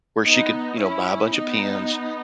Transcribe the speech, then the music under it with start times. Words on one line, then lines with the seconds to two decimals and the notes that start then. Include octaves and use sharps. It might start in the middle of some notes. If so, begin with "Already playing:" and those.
where she could, you know, buy a bunch of pins.
0.25 B3 D#4
0.81 C#4 E4
1.37 B3 D#4